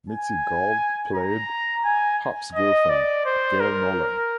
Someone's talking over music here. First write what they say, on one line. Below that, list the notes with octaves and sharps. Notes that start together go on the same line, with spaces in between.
Mitzi Gould played Hop's girlfriend, Gail Nolan.
G#5
A#5
G#5
D#5
D5
C5
A#4